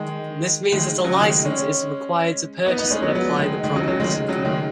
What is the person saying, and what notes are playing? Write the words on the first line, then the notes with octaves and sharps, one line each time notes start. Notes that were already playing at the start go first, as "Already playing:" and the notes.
This means that a license is required to purchase and apply the product.
Already playing: D#3 G#3
D#3 G#3
C#3 F#3
D#3 G#3
G#3 C#4
B3 D#4
B3 D#4
G#3 C#4
F#3 B3
F#3 B3
D#3 G#3
D#3 G#3
C#3 F#3
C#3 F#3
D#3 G#3
C#3 F#3
D#3 G#3